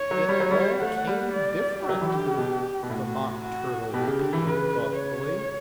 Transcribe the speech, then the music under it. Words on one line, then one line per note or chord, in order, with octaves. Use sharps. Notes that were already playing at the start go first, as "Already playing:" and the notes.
'It all came different!' the Mock Turtle repeated thoughtfully.
Already playing: C#5
F#3
G3
F#3
G3
A3 F#5
G3
D5
F#3 G4
E3
D3
C#3
B2
B2
A2 F#4
F#4
B2 G4
C#3
D3
E3
C#3 B4
C#5